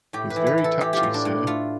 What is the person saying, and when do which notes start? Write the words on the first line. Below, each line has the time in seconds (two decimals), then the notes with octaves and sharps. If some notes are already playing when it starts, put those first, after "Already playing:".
He's very touchy, sir.
0.13 A2 G4
0.30 B4
0.36 E3
0.47 B4
0.58 E3
0.64 A4
0.81 E3 G4
0.93 F4 G4
1.03 A2
1.14 D4
1.25 A2
1.47 A3 F4